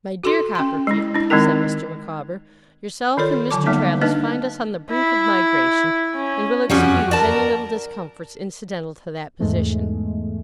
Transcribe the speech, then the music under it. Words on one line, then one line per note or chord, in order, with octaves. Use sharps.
'My dear Copperfield,' said Mr. Micawber, 'yourself and Mr. Traddles find us on the brink of migration, and will excuse any little discomforts incidental to that position.'
F#4 A4 C6
C#4 C6
G#3 E4
D4 E4
D#3 G#3 C4 D#4 A#4
D#3 F4 A4 C#5 D5
D3 F#3 A5 D6
G3 A#3 B3 D#4 E5
A#3 D4 D#4 B4 D#5 A5
E4
C#4
F2 F3 G3 C#4 F#4
A#4 D5 A5
E2 G#2 G#3 A3